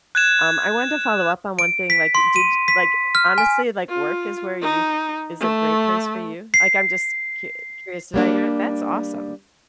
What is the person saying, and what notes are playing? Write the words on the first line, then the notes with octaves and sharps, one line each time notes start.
Um, I wanted to follow-up on one thing, like, did y like, honestly, like, work is where you f is a great place for you? Like, I'm just cu curious, did I hear that's awesome.
F#6 G#6 E7
D7
B6
C6
D#7
B6
F6
G#5
F4
D#4
A3
C7
G3 A#3 D4